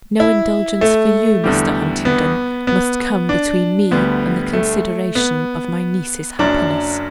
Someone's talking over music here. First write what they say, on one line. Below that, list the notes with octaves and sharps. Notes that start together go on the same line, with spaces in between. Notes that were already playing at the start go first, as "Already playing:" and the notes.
'No indulgence for you, Mr. Huntingdon, must come between me and the consideration of my niece's happiness.'
E4
A3
E2 D3 G3
B3
B3
D4
D2 D3 G3 B3
A3
B3
F#1 F#2 F#3 D4